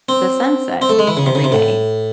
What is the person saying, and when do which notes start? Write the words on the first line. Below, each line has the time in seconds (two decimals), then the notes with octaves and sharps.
the sunset every day.
0.09 C4
0.82 C4
0.89 A3
0.99 G#3
1.07 E3
1.17 C#3
1.26 C3
1.35 C#3
1.44 C3
1.52 A2